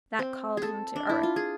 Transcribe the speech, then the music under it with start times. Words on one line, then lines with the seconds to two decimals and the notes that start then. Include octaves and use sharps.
That called him to earth.
0.19 C4
0.57 G#4
0.63 A4
0.96 D4
1.09 E4
1.23 F4
1.36 G#4